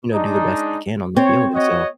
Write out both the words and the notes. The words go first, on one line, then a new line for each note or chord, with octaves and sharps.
you know, do the best they can on the field and so,
G#3 D4 D#4
C4 C#5
F#4 C#5 D#5